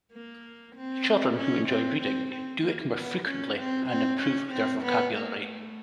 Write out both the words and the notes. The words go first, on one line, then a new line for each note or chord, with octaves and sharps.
Children who enjoy reading do it more frequently and improve their vocabulary.
A#3
C4
C#4
C4
C4
C4
A#3
B3
C#4
C4
C4
C#4
C4
B3
A#3
A3